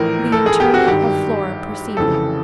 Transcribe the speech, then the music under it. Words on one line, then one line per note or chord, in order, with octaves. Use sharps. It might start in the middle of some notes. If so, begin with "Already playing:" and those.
The interment of Flora proceeded....
Already playing: A#1 A2 E3 A#4
A4
G#4
G4
F#4
G#1 G2 D#3 G4
F1 F2 C#3 E3 A4